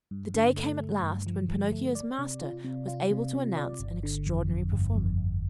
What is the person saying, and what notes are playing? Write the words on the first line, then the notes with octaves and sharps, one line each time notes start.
The day came at last when Pinocchio's master was able to announce an extraordinary performance.
G2
D3
A3
A3
G2
F3
F3
A3
D5
C3
F4
C3
F4
C3
C3
D5
G1
D3
F2
F2
G1
F2
G1